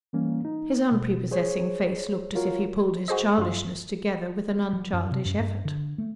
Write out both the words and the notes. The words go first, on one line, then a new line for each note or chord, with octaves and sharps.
His unprepossessing face looked as if he pulled his childishness together with an unchildish effort.
E3 G3 A#3 C#4
D#4
B2
G#4 C5 C#5
F4 F#4 A#4 C#5
F#4 G#4 C5 D#5
G2 F#3 F4
F#3
F#2
C3
F#2
G2
D3
A3